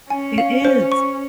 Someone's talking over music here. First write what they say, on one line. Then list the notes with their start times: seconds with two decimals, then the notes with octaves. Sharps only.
It is.
0.10 C#4 G#5
0.38 F5
0.65 C5
0.92 C#6